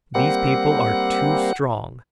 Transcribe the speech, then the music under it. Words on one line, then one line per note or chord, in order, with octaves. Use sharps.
These people are too strong.
G3 A#3 C4 F#5